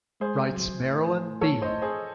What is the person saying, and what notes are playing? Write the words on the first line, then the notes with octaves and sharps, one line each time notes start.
Writes Marilyn B.
G#3 G#4 C5
F#3
A2
A4 C#5
C5 D#5
G#4 C5